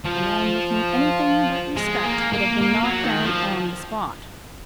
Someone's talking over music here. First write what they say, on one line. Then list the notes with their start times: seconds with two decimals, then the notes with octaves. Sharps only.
A man looking anything but respect would have been knocked down on the spot.
0.06 F3
1.76 G#3
2.04 A#3
2.33 A#3
2.61 A#3
2.83 F#3
3.04 D#3
3.25 F3